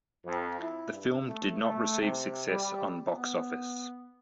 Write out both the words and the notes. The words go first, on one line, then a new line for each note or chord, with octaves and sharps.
The film did not receive success on box office.
F2
E4
G2
A3
A3
C3
G3
B3